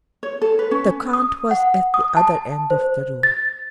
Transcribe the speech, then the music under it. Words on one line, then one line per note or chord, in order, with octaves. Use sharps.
The count was at the other end of the room.
C#5
A4
B4
C#4
D#6
F#5
D#6
A5
C5
A6